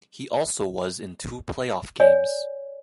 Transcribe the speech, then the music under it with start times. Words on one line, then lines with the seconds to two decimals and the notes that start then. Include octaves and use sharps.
He also was in two playoff games.
2.00 C#5 D5 G#5